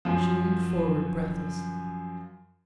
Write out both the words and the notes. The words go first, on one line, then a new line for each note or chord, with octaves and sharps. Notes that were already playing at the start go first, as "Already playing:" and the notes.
She leaned forward breathlessly.
F#2 F3